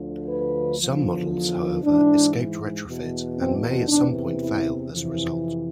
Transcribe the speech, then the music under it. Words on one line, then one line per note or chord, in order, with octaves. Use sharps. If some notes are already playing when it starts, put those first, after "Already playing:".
Some models, however, escaped retrofit and may at some point fail as a result.
Already playing: D2 D3 F3
B4
E2 D3 F3
G#2 E3 D4
E2 B2
C4
E2 C3 E3 D4
E4
F2 C3 E3